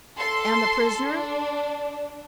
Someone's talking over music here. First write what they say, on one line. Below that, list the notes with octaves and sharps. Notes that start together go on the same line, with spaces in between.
"And the prisoner?"
A4 C6
D4